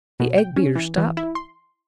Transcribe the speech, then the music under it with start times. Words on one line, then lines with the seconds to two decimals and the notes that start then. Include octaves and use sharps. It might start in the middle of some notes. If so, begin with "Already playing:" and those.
The egg-beater stopped.
0.20 B2
0.38 G5
0.56 C#4
0.76 E3
0.98 E3
1.17 E4
1.35 C6